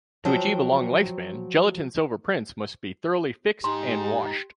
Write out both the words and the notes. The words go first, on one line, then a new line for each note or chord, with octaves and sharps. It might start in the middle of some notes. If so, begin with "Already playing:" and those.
To achieve a long lifespan, gelatin silver prints must be thoroughly fixed and washed.
F3 F#3 G5
G#2 D#4 G4 C6